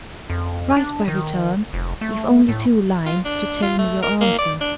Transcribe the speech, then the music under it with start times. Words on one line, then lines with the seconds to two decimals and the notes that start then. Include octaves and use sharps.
Write by return, if only two lines, to tell me your answer.
0.30 F2
0.76 D4
1.08 D#3
1.73 F1
2.01 A3
2.49 A2
3.06 F4
3.25 D4
3.63 F4
3.79 A3
4.03 A#4
4.21 A#3
4.39 D5
4.61 D4